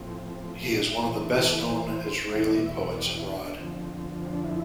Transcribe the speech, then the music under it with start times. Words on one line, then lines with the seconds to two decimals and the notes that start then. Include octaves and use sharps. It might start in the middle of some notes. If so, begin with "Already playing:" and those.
He is one of the best known Israeli poets abroad.
Already playing: A2 F3 C4
0.72 D4
0.88 E4
1.05 A2 E3 C4
1.21 D4
1.36 G4
1.47 A4
1.58 B4
1.68 C5
2.31 E2 B2 E5
2.43 D5
2.56 E5
2.95 D5
3.06 G4
3.17 E4
3.27 D4
3.43 D4
3.59 F2 D3 F3 C4
4.22 C4
4.33 D4
4.43 E4